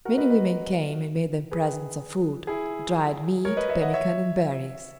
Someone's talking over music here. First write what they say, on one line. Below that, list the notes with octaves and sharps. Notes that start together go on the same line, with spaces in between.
Many women came and made them presents of food, dried meat, pemican, and berries.
F#4 A#4
B4 D#5
B4 D#5
G#4 B4
E4 G#4
A#4 C#5
B4 D#5
C#5 E5
D#5 F#5
C#5 E5